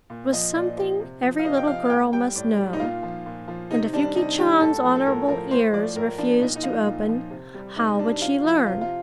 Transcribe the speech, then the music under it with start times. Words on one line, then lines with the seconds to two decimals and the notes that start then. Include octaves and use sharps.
It was something every little girl must know, and if Yuki Chan's honorable ears refused to open, how would she learn?
0.10 A#2
0.33 F3 D#5
0.55 A#2 D5
0.78 F3
1.00 C3
1.23 F3
1.39 F5
1.45 C3 D#5
1.57 G5
1.67 F3 F5
1.85 F5
1.90 A2 G5
2.13 G3 G5
2.36 A2 D5
2.58 G3
2.73 D#4
2.80 A#2 F4
3.03 F3
3.26 A#2
3.48 F3
3.71 C3 D#4
3.93 D#3 G3 D4
4.15 C3 D#4
4.38 D#3 G3 G4
4.60 A2 A4
4.83 F3
4.96 A4
5.06 A2 A#4
5.28 F3 A#4
5.51 A2 C5
5.73 F3 D5
5.96 A2 A#4
6.18 F3 D4
6.41 A#2 D#4
6.56 D#4
6.63 F3 F4
6.86 A#2
7.09 F3
7.31 C3
7.54 G3
7.76 C3 D#4
7.98 G3 D4
8.21 C3 F4
8.44 F3
8.66 C3 F4
8.81 F4